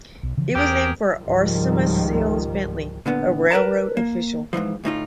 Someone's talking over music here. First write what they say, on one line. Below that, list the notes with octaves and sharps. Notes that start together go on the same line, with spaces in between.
It was named for Orsemus Hills Bentley, a railroad official.
B1
C#3 E3 F3
E2 B3 G4 G#4 A#4
C#2 G#2 D#3 F3 G3
A#2 D3 B3
A#4 B4 C#5 A5 A#5
A#3
G#2 B2 E3 F3
D2 A2 D#4 F4